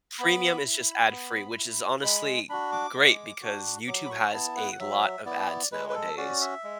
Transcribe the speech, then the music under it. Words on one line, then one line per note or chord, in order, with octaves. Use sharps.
Premium is just ad free, which is honestly great because YouTube has a lot of ads nowadays.
B3 B5
E4
B3
E4
G#3 B5
D4 F#4 B5
D6
G#3
D4 F#4
F#3 D6
B5
C#6
B3 E4 A5
F#5
F#5
F#3 E5
B3 E4 D5
G#3 B4
B4
A4
C#4 F#4 D5
E5
G#3